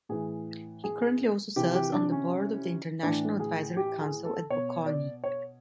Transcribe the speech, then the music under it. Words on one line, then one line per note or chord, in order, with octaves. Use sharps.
He currently also serves on the board of the International Advisory Council at Bocconi.
A2 E3 G#4
G#4
C3 E3 G4
G4
D4
C#4
A2 E3 D4
G#4
G4
G#4
A4
B2 C#5
D5
C#5